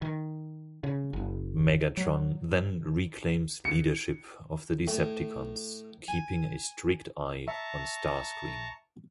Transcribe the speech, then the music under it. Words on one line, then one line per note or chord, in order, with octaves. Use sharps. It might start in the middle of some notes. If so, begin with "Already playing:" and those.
Megatron then reclaims leadership of the Decepticons, keeping a strict eye on Starscream.
D#3
C#3
F#1
F#3
C#7
A2
G#5
E5 A5 A#5 C#6